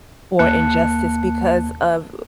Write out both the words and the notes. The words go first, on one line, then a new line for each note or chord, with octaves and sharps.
for injustice because of
D#2 A#3 A5 F#6 C#7